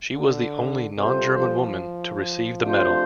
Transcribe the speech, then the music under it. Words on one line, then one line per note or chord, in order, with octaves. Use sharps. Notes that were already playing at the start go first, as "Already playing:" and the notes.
She was the only non-German woman to receive the medal.
D3
C3 G3 F4 A4 C5
F3
C3 A3 D4 F4 C5